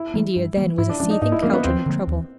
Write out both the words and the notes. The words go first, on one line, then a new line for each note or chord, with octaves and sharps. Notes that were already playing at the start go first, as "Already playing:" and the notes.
India then was a seething caldron of trouble.
Already playing: E4
E3 G3 A#3
G2
E3 G3 A#3
G#2 E4
D4
F3 G#3 C#4 D4
D#4
G#2 D#4
E4
F3 G#3 A#3 C#4
B3
D#2 C4
D3 F3 A#3
D#2